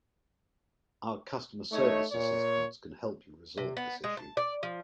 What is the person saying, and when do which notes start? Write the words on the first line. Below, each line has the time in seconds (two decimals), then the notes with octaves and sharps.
Our customer service assistants can help you resolve this issue.
1.72 A3 D#4 C#5
2.12 A#2 C#5
3.57 C3
3.77 B3
4.04 G#3
4.17 A5
4.37 D5
4.63 F3